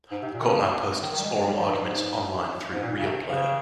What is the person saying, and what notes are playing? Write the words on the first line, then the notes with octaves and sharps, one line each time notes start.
The court now posts its oral arguments online through RealPlayer.
G#2
C3
A#2
D#3
C#3
D#3
D#3
G3
G#3
G#3
G3
F3
G2
G#2
G#2
A#2
C#3
C3
C#3